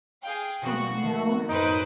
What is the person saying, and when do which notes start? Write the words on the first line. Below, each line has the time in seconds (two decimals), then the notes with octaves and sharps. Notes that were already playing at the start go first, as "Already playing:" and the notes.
I don't know.
0.20 G#4 F5 G5
0.62 B2 F3 B3 F#4
0.98 D#3 B3 C7
1.49 F#2 A2 D#4 B4 C5 D7